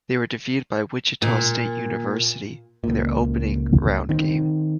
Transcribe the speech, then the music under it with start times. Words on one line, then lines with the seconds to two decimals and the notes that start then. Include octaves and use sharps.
They were defeated by Wichita State University in their opening round game.
1.22 A#2
2.84 C#2 A#2
4.09 D#3 C4